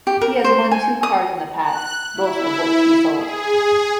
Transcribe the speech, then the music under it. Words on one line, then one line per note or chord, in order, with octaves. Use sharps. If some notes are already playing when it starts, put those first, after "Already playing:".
He has won two cars in the past, both of which he sold.
G4
A#4
C5
G#5
D#6
F#6
E4
G#4